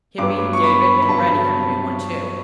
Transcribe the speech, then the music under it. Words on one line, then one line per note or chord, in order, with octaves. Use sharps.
Hippy, David and Reddy have a new one, too.
G2 F#3 B3 D6
C#6
B5
B5
G2 F#3 B3 A5